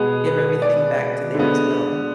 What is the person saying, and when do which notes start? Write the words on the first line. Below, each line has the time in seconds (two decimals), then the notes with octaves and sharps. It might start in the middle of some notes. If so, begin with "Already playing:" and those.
give everything back to there as well.
Already playing: B2 G#3 B3 G#4
0.26 B4
0.62 D5
1.34 D3 G#3 B3